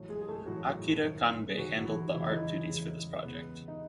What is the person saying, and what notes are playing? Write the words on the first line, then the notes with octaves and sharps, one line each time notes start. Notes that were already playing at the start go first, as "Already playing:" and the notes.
Akira Kanbe handled the art duties for this project.
Already playing: A1 A2 F#3
G#3 G#4
G#4
A3 A4
A1 A2 F#3 F#4
F#1 F#2 D#3
G#4
F#1 F#2 D#3 F#3 F#4
F#4
E3 E4
E2 C#3 E3 G#3 E4
D#4
E3 E4
E2 C#3 E3 G#3
E2 C#3 G#3 B3
D#4